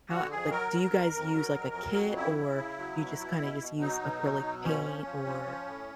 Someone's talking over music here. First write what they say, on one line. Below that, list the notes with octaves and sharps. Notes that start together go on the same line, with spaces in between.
How a like, do you guys use, like, a kit, or do you just kinda just use acrylic paint? Or
D3 F#4
F2 G#4
F#3 A#4
F#3
F2
F2
F#3
F2
F#3
F2
C#3 E4
C#3
C#3
F#3
B2
B2
B2
B2
F#3 D#4
B2
F#3
B2
F3 C#4
F3
F3
F3
F3
A2